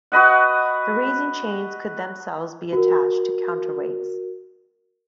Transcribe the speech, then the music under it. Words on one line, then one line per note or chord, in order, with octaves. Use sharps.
The raising chains could themselves be attached to counterweights.
F#4 B4 D#5 F#5
F#4 A#4